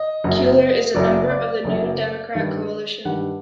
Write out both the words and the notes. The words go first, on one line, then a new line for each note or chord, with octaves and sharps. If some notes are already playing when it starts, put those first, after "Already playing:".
Cuellar is a member of the New Democrat Coalition.
Already playing: D#5
F#1 F#2 F#3
F#1 F#2 F#3 D5
D5
F#1 F#2 F#3
G2 D#3 G3
G2 D#3 G3 F#5